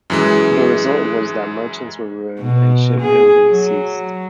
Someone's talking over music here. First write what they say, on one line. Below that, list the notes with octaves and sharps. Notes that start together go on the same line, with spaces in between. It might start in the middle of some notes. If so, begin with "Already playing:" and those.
The result was that merchants were ruined and shipbuilding ceased.
F#2 E3 G#3
B2
G#4
F#3